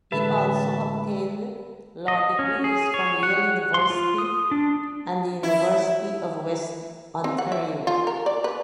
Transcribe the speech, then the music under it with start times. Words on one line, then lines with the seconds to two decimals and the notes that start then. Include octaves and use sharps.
He also obtained law degrees from Yale University and the University of Western Ontario.
0.12 A1 D3 G#3 B4 E5 A5 B5
2.08 D#5
2.39 C#4
2.64 G#4
2.94 C#5
3.23 F#5
3.74 C6
3.90 F4
4.18 D#6
4.51 D4
5.43 E4
7.24 C4
7.38 F#5
7.52 E5
7.87 F4
8.07 A#4
8.26 D5
8.44 B4